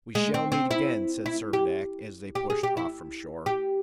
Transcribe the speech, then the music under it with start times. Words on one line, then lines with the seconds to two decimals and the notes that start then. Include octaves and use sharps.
"We shall meet again," said Servadac, as they pushed off from shore.
0.15 G#3
0.34 C4
0.52 C4
0.71 E4
1.26 E4
1.53 G4
2.35 G4
2.50 G#4
2.63 G4
2.77 E4
3.46 G4